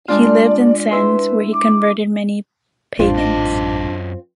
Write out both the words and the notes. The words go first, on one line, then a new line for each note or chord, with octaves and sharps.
He lived in Sens where he converted many pagans.
G#3 D4 F4 D5
E4 B4 E5 C6
D6
A1 F2 G#2 C4 D4 F4
F#2 D#5